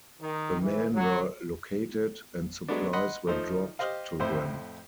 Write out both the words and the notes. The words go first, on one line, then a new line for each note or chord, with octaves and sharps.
The men were located and supplies were dropped to them.
D#3
E3
F#3
F#3 G#3 A3 B3 D4
D#5 F#5 B5 C6
F3 A3 D#4 C5
G4 C5 D#5 F5
F2 A2 E4 C5